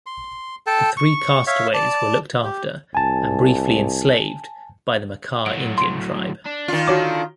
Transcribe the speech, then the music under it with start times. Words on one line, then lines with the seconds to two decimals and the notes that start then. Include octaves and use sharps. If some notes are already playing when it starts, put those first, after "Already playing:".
The three castaways were looked after and briefly enslaved by the Makah Indian tribe.
0.06 C6
0.67 A4 G5 A5
0.97 C#6
1.47 C#5 E5 F5
1.74 D5 A5
2.45 G4
2.95 C2 G#5 A5
5.46 A2 F#3 D7
5.78 C6 D7
6.46 D4
6.68 D#3 F4
6.88 D4 F#4 A4 C#5 D6